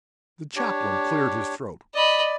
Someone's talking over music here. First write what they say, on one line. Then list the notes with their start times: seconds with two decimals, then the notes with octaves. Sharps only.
The chaplain cleared his throat.
0.56 D4 G4 C#5
1.94 D5 D#5 B5